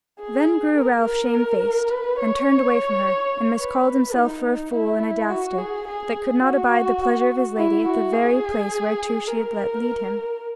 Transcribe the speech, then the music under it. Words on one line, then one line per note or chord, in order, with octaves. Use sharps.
Then grew Ralph shamefaced and turned away from her, and miscalled himself for a fool and a dastard that could not abide the pleasure of his lady at the very place whereto she had let lead him.
G#4
A#4
A#4
B4
C#5
B4
D#4
E4
F#4
G#4
G#4
F#4
E4
F#4
G#4
A#4